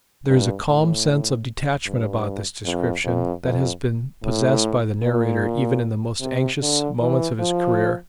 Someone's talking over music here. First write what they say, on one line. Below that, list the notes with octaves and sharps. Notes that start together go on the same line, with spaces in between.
There is a calm sense of detachment about this description that has been possessed by the narrator even in the most anxious moments of his career.
G2
A2
G2
F2
F2
F2
A2
A#2
C3
D3
E3
F3